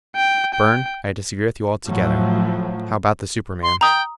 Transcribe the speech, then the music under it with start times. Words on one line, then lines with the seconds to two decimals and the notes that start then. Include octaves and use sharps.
"Burne, I disagree with you altogether; how about the superman?"
0.16 G5
0.54 G5
1.87 A2 F3 F#3
3.63 C6
3.81 G5 A#5 D#6